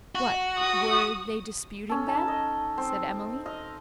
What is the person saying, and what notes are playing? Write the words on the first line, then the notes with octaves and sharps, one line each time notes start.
'What, were they disputing, then?' said Emily.
F#4
D#6
C#4 A4
D#4 A5
D#5
C4
D#5 F5